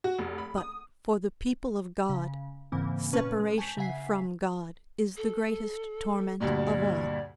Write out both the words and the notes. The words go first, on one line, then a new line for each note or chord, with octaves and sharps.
But for the people of God separation from God is the greatest torment of all.
F#4
F1
B5
D#6
C#3
G#2 C#3 E3 A#3 C4
A#2 C#4 B4 A5 C#6 F6
G#3
G#5 A5 C#6 G6 B6
C#3 E5 F#5 G#5 B6 C7
A4
D2 G2 A#2 D5